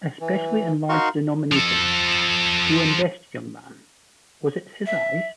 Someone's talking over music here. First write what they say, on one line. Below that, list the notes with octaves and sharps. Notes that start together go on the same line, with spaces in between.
Especially in large denominations", "Go invest, young man", "Was it his eyes?
E3
D#4 F#4 A#4 F5 C6 C#6
F3 A4
E5